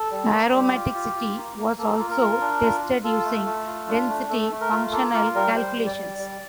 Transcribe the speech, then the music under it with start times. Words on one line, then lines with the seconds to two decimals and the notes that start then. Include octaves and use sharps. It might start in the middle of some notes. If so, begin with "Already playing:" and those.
Aromaticity was also tested using density functional calculations.
Already playing: A4
0.11 G3
0.32 A#3
0.53 G3 G4
0.73 F4
0.95 F4
1.16 F4
1.37 A#3
1.58 A#3
1.78 A#3 A4
1.99 F4
2.10 A#4
2.21 F4
2.41 D4
2.63 F4
2.83 F4
3.04 F4 A4
3.25 A3
3.45 A3
3.67 F4
3.88 D4
4.09 A3
4.29 A3 A4
4.51 A3
4.61 A#4
4.72 F4
4.92 A#3 A4
5.13 F4 A#4
5.35 G3 A#4
5.55 G3 C5
5.77 G3
5.86 D5
5.97 G3
6.18 G3